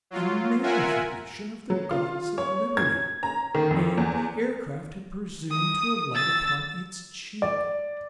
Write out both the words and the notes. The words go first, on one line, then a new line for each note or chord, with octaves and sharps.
A mammoth edition of the Goddess of Liberty; and the aircraft had presumed to alight upon its cheek!
F#3 F4
F4 A#4 E5 F#5 G#5
F#3
F4
C#5
G#6
A#5
D#3
F2
E2
D#6
E6 A6
D5